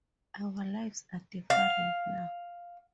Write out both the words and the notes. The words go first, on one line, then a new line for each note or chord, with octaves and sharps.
Our lives are different now.
F5